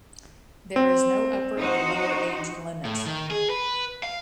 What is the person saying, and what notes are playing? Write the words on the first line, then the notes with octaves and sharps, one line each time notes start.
There is no upper or lower age limit.
C4
D#4 F#4 C5
A2
D#3
G#4
B4
F5